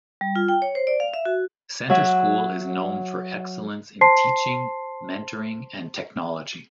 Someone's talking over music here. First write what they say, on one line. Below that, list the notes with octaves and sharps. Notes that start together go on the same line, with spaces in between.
Center School is known for excellence in teaching, mentoring, and technology.
G3
F4
G5
C#5
C5
D5
F5
E5
F#4
F#3 E5
C5 A5 C6 C7